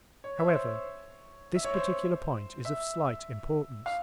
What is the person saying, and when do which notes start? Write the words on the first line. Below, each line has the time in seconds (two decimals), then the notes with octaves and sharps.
However, this particular point is of slight Importance.
0.24 C#5
0.39 E5
0.48 C5
0.54 C#5
1.55 E5
1.65 C#5
1.74 C5
2.65 E5
3.86 F5